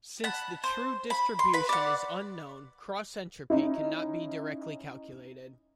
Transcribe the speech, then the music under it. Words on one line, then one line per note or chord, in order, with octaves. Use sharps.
Since the true distribution is unknown, cross-entropy cannot be directly calculated.
F#5 A5 B5
C5
B5
C6
B4 B5
D5 F#5
C#4 D#4 E4